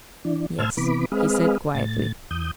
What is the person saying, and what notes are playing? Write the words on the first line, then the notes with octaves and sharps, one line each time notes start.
"Yes," he said quietly.
E3 D4
A2 C5 A5 E6 F6 G#6
C3 E3 B3 B5 D6
G#3 C4 G#4 B4 D#5 F5
A2 A6
E2 D#6 G6